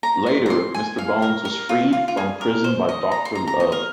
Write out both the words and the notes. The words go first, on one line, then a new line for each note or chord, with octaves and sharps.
Later, Mr. Bones was freed from prison by Doctor Love.
A#5
C6
A#5
C6
G#5
F5
A#4
A#4
F4
F4
F4
G#4
A#4
C5
D#5
A#5
C6
A#5
A#5
D#5
A#4